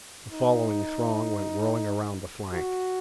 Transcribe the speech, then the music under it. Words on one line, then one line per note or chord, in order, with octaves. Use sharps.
The following throng went whirling around the flank.
D#4
F#4